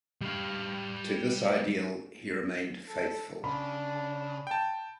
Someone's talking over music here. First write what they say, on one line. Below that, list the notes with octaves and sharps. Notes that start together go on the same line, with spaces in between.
To this ideal he remained faithful.
G3 F5
A4
C#3 D4 B5
G5 A5